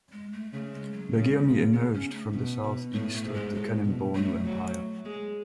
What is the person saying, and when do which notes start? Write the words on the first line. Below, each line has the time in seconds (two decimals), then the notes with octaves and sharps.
Baguirmi emerged to the southeast of the Kanem-Bornu Empire.
0.12 G#3
0.33 A3
0.53 C#3 A3
0.73 G#3
0.93 F#3
1.13 C#3 G#3
1.74 B3
1.94 C#4
2.13 A3
2.33 B2
2.64 B2
2.94 A2 A3
3.14 A3
3.24 G#2
3.34 G#3
3.55 A2 G#3
3.85 B2
4.15 F#3 A3
4.45 F#3
5.05 G#3